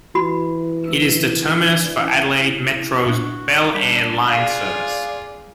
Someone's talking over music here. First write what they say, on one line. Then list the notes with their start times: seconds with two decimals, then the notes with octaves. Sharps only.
It is the terminus for Adelaide Metro's Belair line service.
0.15 E3 F#4 B5
3.06 A#2 D4 F#4
3.74 G3 D4 B5 G6 B6
4.28 F4 G#4 D5 F5 F#6 C7